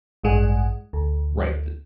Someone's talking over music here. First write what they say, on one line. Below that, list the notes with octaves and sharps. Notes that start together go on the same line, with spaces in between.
Right th
A1 G2 G#3 F#5 G#5
D2